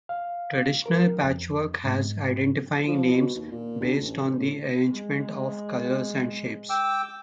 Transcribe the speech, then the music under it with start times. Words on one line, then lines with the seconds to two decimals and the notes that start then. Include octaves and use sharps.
Traditional patchwork has identifying names based on the arrangement of colors and shapes.
0.09 F5
0.86 A#4
1.24 F2
1.85 G#2
2.87 F3
3.09 B2
3.35 D#2
3.51 A#2
3.80 D2
4.01 A1
4.40 A2
4.90 G#3
6.70 G5 D6 E6